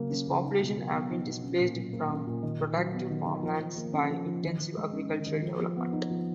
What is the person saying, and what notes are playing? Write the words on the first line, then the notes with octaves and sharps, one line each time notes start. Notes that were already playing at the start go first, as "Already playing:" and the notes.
These populations have been displaced from productive farmlands by intensive agricultural development.
Already playing: C#3 F#3 A#3
C#4
C#3
D#4
B2
F#3
B3
D#4
B2
C#4
A#2
F#3
A#3
C#4
A#2
D#3
D#3
F#3
B3
D#3
D#3
F3
F3
A#3
C#4
F3
F3
D#3
D#3
G#3
C#4
D#3
D#3
F3
F3
B3
D#4
F3